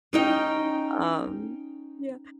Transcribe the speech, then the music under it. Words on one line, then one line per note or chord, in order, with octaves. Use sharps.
um, yeah.
C#4 D#4 G5